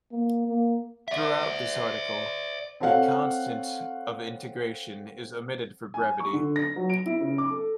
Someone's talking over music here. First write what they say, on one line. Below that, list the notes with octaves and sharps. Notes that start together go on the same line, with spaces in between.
Throughout this article the constant of integration is omitted for brevity.
A#3
A#3
D5 E5
C4 A4 C#5 F5 F#5
G#5
C#6
D3
A#6
F#3
D7
E4
C#3
D6
A4